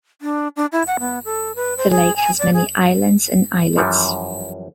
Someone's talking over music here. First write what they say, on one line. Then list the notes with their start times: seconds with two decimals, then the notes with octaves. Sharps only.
The lake has many islands and islets.
0.22 D4
0.56 D4
0.72 E4
0.87 F#5
1.00 B3
1.25 A4
1.56 B4
1.77 C5
1.91 G#4
2.16 G#5
2.39 D5
2.54 G#4
3.76 F#2 E3 F3 G3